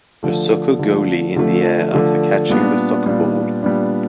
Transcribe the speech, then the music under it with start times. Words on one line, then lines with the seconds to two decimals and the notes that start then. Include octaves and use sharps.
A soccer goalie in the air after catching the soccer ball.
0.23 D3 F3 A3
0.79 D3 F3 A3
1.36 D3 F3 A3
1.93 D3 F3 A3
2.49 A#2 G3 B3 D4
3.06 A#2 G3 B3 D4
3.63 A#2 G3 B3 D4